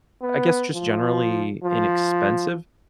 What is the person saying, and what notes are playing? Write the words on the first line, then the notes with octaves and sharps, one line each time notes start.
I guess, just generally inexpensive
B3
F3
F3